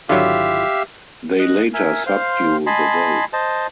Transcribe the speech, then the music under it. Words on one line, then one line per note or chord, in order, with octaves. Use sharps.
They later subdue The Wolf.
G#1 D3 F#3 E4 F4 G4 E5 F5
D#5 F#6
A#4 E5 G#5
C5 F5 C6
D#5 G#5 A5 B5 C6
C5 D#5 A5